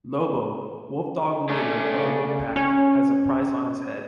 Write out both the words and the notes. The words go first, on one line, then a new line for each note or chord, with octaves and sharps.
Lobo, wolfdog leader of a wolf pack, has a price on his head.
A3 C#4 D4 A4 D5
C#3
C#4